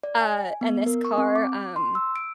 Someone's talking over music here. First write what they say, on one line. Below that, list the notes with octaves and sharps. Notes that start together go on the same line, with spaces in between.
Uh, and this car, um,
D5
G#5
B3
A#4
C#6
C4
D6
C6
E6
D7